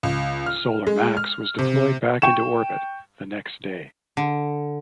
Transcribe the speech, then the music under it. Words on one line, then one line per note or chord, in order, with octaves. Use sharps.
Solar Max was deployed back into orbit the next day.
C#2
F6
G#3
F6
C3
G5 C#6 E7
D3